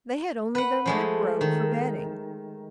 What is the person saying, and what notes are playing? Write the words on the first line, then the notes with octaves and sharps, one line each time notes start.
They had only their lap-robe for bedding.
B4 F#5
F3 G#3 A3
D#3